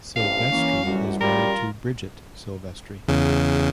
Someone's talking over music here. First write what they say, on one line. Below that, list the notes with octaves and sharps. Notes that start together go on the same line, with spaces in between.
Silvestri is married to Bridget Silvestri.
A1 G2 C3 F5
E3 A#3 C#4
A1 F#2 G3 F#4
F#2 G3 F4 A#4
E2 C#3